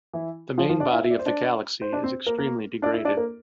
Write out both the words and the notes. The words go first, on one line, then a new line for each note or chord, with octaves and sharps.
The main body of the galaxy is extremely degraded.
E3 E4
F3 F4
F3 F4
D4 D5
E4 E5
E5
D5
C5
D4 D5
C5
D4 D5
C4 C5
A#3 A#4
A#3 A#4
D4 D5
E4 E5
D4 D5
A#3 A#4